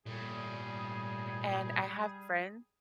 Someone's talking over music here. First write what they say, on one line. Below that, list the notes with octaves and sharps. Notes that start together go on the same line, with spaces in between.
and I have friends
A#2 G3 A3 G#4